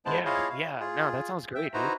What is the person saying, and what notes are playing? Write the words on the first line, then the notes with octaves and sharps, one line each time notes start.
Yeah. Yeah. Now, that sounds great, dude.
G#3 B3 E4 C5 A5
E4 F4 G#4 C#5 D#5 F5
F5
F4 G#4
E5 G5
D#4 E4 F#4 B4 C5 A#5